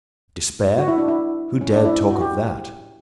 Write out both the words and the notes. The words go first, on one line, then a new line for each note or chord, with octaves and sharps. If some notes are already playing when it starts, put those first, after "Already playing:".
Despair! Who dared talk of that?
F#4
E4
D4
E4
C#4
D4
E4
F#4
G4